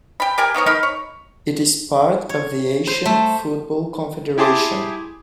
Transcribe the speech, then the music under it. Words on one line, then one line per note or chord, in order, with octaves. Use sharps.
It is part of the Asian Football Confederation.
G5 B5
G4 A#4 G5 G#5
D#3 B3 A#4 C#5
D#4 A#4 B5
C#5
C#5
C5
A3
E4 G4 G#4 A5 C6 D6